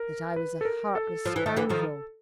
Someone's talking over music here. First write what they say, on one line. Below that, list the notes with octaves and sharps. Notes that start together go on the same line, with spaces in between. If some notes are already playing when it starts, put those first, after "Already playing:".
"That I was a heartless scoundrel."
Already playing: A#4
B4
A4
A#4
A4
F3
E3
D#3
D3 E3
D#3 F3